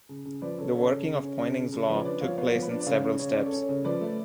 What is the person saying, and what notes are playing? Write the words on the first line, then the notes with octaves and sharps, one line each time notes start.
The working of Poynings' Law took place in several steps.
C#3
C#3
F3 B4 D5
C#3 A4 C#5
C#3 A4 C#5
C#3
C#3
C#4
C#3
C#3
C#3
F3 B4 D5
C#5
D4 B4 D5
F3 C#5 F5
B3 C#5 F5
F3
B4
D4
D5
C#3 C#5 F5
C#3
C#3 C#5
C#4 D5
A4 C#5
C#4
C#3
F3 B4 D5
A3